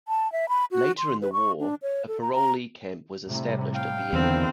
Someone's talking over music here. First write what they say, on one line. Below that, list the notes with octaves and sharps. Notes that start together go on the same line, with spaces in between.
Later in the war, a parolee camp was established at Vienna.
A5
E5
B5
F#4
C6
B4
C#6
D4
C#5
A4
A#5
A#5
A2 C3 G3
F5 G5
E2 D3 D#3 C4